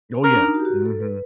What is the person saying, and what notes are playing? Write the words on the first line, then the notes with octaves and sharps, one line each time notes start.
Oh, yeah. Mhm.
C#4 A#4
D4
D#4
F#4
G4
F#4
A4
B4